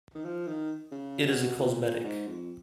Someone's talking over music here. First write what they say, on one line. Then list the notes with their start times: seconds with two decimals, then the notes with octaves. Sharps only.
It is a cosmetic.
0.15 D#3
0.25 F3
0.47 D#3
0.91 C#3
1.25 B2
1.59 A#2
1.83 A#2
2.04 G#2
2.28 F2